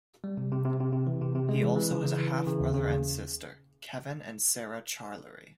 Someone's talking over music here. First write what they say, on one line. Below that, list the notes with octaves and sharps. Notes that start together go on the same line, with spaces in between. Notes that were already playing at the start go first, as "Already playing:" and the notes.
He also has a half brother and sister, Kevin and Sarah Charlery.
G3
C3
C3
C3
C3
C3
E3
C3
C3
G#3
E3
E3
C#3
E3
E3
E3
C#3
D#2
C#3